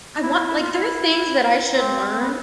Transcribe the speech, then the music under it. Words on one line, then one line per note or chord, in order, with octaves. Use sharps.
I want, like there are things that I should learn,
E4
E4
E4
F4
E4
C4
C4
B3